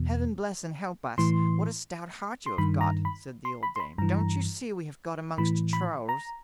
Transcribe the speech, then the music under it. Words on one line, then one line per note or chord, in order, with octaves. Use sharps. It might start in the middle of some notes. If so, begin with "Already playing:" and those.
'Heaven bless and help us! what a stout heart you have got', said the old dame; 'don't you see we have got amongst Trolls?'
Already playing: E2 B2
A2 E3 C6
C6
G2 D#3 B5
A#5
B5
C6
B5
C6
B5
G2 E3 A#5
A2 E3 B5
B5
A#5